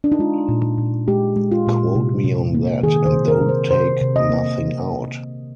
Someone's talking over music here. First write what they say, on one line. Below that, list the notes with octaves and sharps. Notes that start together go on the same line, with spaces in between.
Quote me on that and don't take nothing out.
D4
D#4
G#3 F4
A#2
A#2
G#3 G4
G#3
F4
A#2
C3
C3
A#3
D#3 G#4
C5
C3
A#4
C3
C5
C3 C5
C3
D#5
A#3